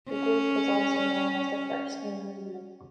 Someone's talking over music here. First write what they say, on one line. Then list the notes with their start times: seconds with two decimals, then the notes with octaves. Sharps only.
The group was also known as the First New Movement.
0.11 C#4